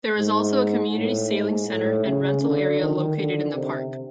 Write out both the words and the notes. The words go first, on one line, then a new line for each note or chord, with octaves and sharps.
There is also a community sailing center and rental area located in the park.
G#2
A2
G#2
A2
C#3
D3
D#3
D3
C3